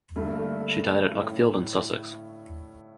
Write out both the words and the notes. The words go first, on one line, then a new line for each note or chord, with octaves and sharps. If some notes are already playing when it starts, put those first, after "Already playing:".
She died at Uckfield in Sussex.
G2 D3 A3
A#3
A3
A2